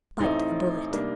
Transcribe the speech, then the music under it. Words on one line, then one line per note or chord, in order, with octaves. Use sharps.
Bite the bullet.
A1 A2 A3 C4 D#4
C3 G3 A#3 D4